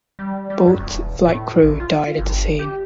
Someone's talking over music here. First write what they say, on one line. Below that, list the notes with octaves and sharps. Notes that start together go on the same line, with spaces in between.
Both flight crew died at the scene.
G3
G3
F#2
E1
A2
A#1
F4
G1
G4